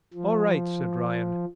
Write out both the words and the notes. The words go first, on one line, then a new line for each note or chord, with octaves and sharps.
"All right," said Ryan.
F3